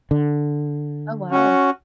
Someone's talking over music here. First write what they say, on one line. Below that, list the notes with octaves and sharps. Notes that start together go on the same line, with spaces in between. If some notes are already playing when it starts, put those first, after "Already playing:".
Oh, wow.
D3
C#4 F#4